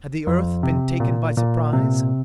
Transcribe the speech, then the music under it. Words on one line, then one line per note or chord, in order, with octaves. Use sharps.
Had the Earth been taken by surprise?
F2
C3
A#2
A#2
C3